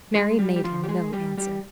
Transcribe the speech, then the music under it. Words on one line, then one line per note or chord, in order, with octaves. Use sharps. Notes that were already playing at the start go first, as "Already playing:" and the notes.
Mary made him no answer.
G#3 G#4
G3 G4
G4
F3 F4
G4
G#3 G#4
G3 G4
G3 G4